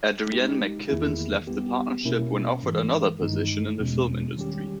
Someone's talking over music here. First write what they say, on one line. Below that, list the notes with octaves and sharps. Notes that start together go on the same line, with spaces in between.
Adrienne McKibbins left the partnership when offered another position in the film industry.
G#3 D#4 G4
E2 D#3 A#3 E4 G#4
G3 B3 G4
B2 A#3 C#4 E4 A#4
G#2 E3 G#3
G2 D#3 G#3 D#4
E2 B2 G#3 C#4
D#3 G3 C#4 G4